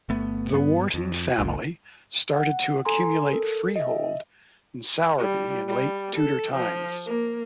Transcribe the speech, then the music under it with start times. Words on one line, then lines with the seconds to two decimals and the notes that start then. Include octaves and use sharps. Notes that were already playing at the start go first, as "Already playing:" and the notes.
The Wharton family started to accumulate freehold in Sowerby in late Tudor times.
0.09 G1 A3 B3
0.52 G2 B3
0.94 F2
1.38 G1 C#2 A#2
2.35 F#5
2.85 A4 G#5 A#5 C6
3.33 A4 A#4
3.76 D#5 E5
5.18 G3
5.67 G3
6.16 A4
6.54 F3
7.06 A#3